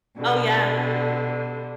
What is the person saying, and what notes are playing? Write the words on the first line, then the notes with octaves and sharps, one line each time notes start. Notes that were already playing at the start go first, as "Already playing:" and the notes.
Oh, yeah.
B2 D3 G3